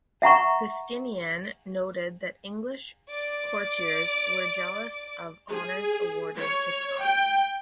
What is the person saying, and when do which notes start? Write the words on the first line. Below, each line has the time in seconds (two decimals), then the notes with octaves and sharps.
Giustinian noted that English courtiers were jealous of honours awarded to Scots.
0.22 E5 F#5 A#5 C#6
3.10 D5 D6
5.48 G#4
6.36 C#5
7.00 G5